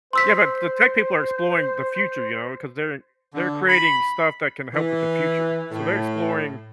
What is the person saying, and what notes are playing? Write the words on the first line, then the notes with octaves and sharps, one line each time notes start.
Yeah, but the tech people are exploring the future, you know, 'cause they're they're creating stuff that can help with the future. So they're exploring
C5 C6 E6 B6
D3
B5
E3
A2